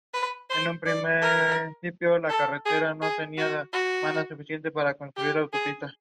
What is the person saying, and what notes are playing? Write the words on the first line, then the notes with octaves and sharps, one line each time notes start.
She appeared in nearly thirty films.
B4
C5
D5
A#4
A4
G#4
G#4
F#4
F#4
G4
G#4